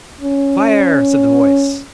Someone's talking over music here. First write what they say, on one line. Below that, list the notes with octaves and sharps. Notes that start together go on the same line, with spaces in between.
"Fire!" said the voice.
C#4